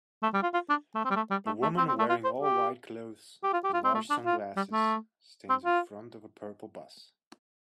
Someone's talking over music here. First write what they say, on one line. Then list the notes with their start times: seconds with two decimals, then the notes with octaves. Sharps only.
A woman wearing all white clothes and large sunglasses stands in front of a purple bus.
0.23 A3
0.33 G3
0.43 F4
0.54 F4
0.69 D4
0.95 A3
1.05 C4
1.10 G3
1.16 A3
1.31 G3
1.46 A3
1.62 A3
1.77 C4
1.88 C4
1.99 A3
2.09 F4
2.24 C5
2.40 G4
3.43 G4
3.53 F4
3.64 G4
3.73 F4
3.84 C4
3.94 A3
4.10 D4
4.25 F4
4.56 G3
4.72 A3
5.49 C4
5.65 F4